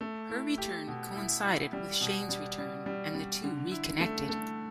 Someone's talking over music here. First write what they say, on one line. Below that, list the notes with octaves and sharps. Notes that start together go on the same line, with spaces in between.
Her return coincided with Shane's return and the two reconnected.
A3
E4
G4
B2
E4
E4
G3
B2
G3
G3
G3
G3
D3
E4
A3
A3